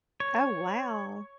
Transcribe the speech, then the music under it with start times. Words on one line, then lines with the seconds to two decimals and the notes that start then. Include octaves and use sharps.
Oh, wow.
0.20 C#5